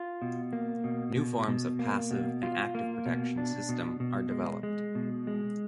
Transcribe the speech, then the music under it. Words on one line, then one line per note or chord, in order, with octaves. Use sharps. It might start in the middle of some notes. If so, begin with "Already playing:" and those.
New forms of passive and Active protection system are developed.
Already playing: F4
B2
A#3
B2
B2
B2
A#3
B2
F4
A#3
B2
D4
B2
B2
G#3
G#3
B2
G#3